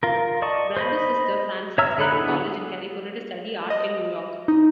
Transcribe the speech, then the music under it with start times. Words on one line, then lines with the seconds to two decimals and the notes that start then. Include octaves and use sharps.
Brando's sister Frances left college in California to study art in New York.
0.03 F4 A#4
0.42 D5 D#5 A5 C#6
0.77 C5 D#5 B5
1.78 C#5 E5 A#5 E6 F6
1.98 D3 D#4 A4 B5 F#6
2.12 B3 D4 E4 G#4
3.70 D#5
4.48 D#4